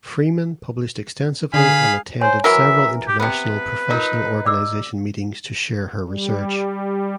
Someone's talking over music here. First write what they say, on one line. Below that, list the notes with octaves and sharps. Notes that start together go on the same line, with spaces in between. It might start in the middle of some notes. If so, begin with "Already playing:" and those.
Freeman published extensively and attended several international professional organization meetings to share her research.
D3 G#4 F5 B5
C5 C#5 G#5 C6
E3 F#3 A#4 E5
G4
C3 B3 B4
D#4 F4 A#4
D5 D6 E6
G3